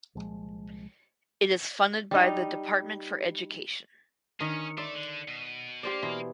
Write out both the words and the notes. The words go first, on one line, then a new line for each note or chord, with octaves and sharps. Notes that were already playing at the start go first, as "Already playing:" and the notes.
It is funded by the Department for Education.
C2 A#2 F3 G#3
G3 D#4
D#3 C#4 D#5
A3 D5 E5 C6
D3
B2
A#3 G4 C5 D5
B2 E3 C6